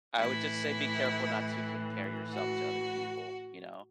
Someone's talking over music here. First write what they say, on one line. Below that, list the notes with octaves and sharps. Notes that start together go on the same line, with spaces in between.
I would just say be careful not to compare yourself to other people, you know?
A2 E3 E4
F#4